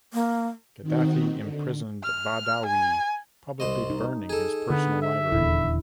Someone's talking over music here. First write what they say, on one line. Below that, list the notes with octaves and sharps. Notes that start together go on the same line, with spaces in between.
Gaddafi imprisoned Badawi, publicly burning his personal library.
A#3
D#3 C4 D#4 F#4
D3
F6
G#5
C2 C5 D#5
D#4
G#4 A4
D3 B3
E5
D#1 E2 E4